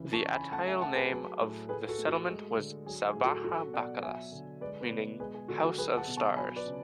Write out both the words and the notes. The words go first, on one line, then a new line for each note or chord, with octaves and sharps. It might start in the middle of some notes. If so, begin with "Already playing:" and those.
The Atayal name of the settlement was Sabaha Bakalas, meaning "house of stars".
Already playing: C#3 E3
A5 C#6
C#3
G#5 B5
A3 F#5 A5
E5 G#5
A3 F#5 A5
G#4 B4
F#3
A2
A3 G#4 B4
F#4 A4
A3
F#4 A4
G#3
D3
F#3 G#4
G#4
A2
F#4 A4
F#3 F#4 A4
B2 D5 F#5
F#3 E5 G#5
D3
G#3 B4 D5
B4 D5
B2
G#3 G#4 B4
G#4
D3 F#4 A4
F#4 A4
F#3 G#4 B4
F#5 A5
B2
A5 C#6
F#3 G#5 B5
B4 D5
C#3